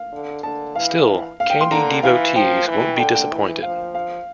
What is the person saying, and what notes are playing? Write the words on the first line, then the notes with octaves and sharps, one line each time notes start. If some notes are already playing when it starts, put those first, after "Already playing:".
Still, "Candy" devotees won't be disappointed.
Already playing: F5
D3
D3 A5
E3 F5
F5
G5
C6
D3 A#5
E3 F5
F3 G5
E3
D3 G5
G5
E3
F3 F5
F5